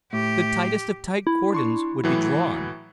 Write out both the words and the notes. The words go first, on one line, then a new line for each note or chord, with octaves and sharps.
The tightest of tight cordons would be drawn.
A2 G4
E4
D4 C6 C#6
A2 E3 F#3